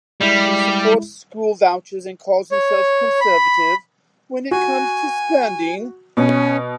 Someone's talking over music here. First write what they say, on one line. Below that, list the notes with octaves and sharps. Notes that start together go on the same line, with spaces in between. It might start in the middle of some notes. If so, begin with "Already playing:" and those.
He supports school vouchers and calls himself "conservative when it comes to spending".
G3 G#3 E4
C#5
B5
F#4 G#5
B2 C#4